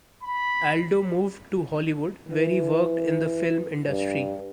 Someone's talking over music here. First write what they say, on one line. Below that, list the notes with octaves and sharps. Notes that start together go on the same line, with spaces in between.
Aldo moved to Hollywood where he worked in the film industry.
B5
E3
G2